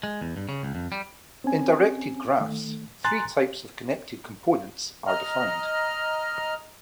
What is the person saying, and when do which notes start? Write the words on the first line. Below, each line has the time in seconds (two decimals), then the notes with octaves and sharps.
In directed graphs, three types of connected components are defined.
0.03 G#3
0.21 E2
0.37 G2
0.49 C#3
0.63 C#2
0.75 F2
0.92 G3
1.44 C4 C#4 G#5
2.40 D#3 A3
3.04 G#5 A#5 C6 F#6 A6
5.07 D#5 A#5 F6